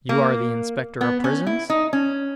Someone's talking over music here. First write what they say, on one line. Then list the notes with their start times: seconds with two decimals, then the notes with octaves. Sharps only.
"You are the inspector of prisons?"
0.09 A#3
1.01 B3
1.24 C#4
1.46 E4
1.70 D#4
1.93 C#4